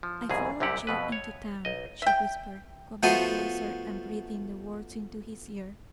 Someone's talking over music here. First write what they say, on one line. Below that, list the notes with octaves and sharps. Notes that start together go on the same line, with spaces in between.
"I followed you into town," she whispered, coming closer, and breathing the words into his ear.
F3
C2 F2 G#2 B2 G#4
C2 F#2 C3 E4 G4 F#5
F2 B2 B4
C#5
B1 D#5
E5 G5
F3 A3 B3 F#4 C5 D#6